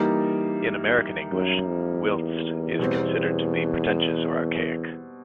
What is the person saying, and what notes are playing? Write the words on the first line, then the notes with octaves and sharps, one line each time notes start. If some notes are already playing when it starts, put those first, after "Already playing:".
In American English, "whilst" is considered to be pretentious or archaic.
Already playing: E3 G3 A#3 D#4
F#2
F2
E2
B2 G3 C4